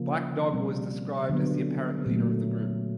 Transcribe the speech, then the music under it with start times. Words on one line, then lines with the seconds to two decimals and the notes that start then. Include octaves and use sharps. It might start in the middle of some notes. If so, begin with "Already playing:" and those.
Blackdog was described as the apparent leader of the group.
Already playing: C#3 F3 A#3
0.53 B2 G3 C4
1.30 D3 F#3 B3
2.06 A#2 F#3 A3